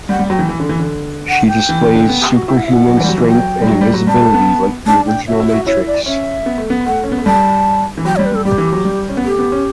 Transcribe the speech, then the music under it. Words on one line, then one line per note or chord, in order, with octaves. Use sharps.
She displays superhuman strength and invisibility, like the original Matrix.
G3 F#5
G3
F#3 G5
E3
E3
D3
E3
D3
F#5
G5
E3
E3
D3
B3
G4
F#4
E4 G5
F#5
E5
E4 F#5
F#3
E3
G3
F#3
E3
F#3 G5
G3
F#3
G3
F#3
G3 A5
A3
B3
D4 A5
G5
E5
F#4
E4
E5
F#4
E4 C#5
D5
C#4 E5
B3
A3
B3
A3 F#5
C#4
B3
A3
G3 A5
E3
F#3 G5
C#5
G3
B4
G3 A4
G3 G4
E3
F#3
G3
C#4
B3
A3 G4
B3
C#4